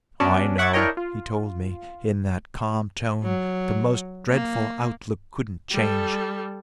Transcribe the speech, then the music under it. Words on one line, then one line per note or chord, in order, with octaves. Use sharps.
"I know," he told me in that calm tone the most dreadful outlook couldn't change.
B3 C#4 D4 F#4
E5 F#5 C#6 D6 G#6 A6
D4 E4 A#4 C#5 D#5 G5
F4
F#3
A#3
G3 A4